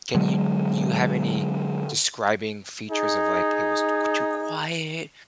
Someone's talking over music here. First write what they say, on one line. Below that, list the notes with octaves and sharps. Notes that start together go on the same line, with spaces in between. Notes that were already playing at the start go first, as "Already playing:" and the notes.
Can you you have any describing features of, like, it was t q too quiet
D3 F#3 G#3
D#4 G#4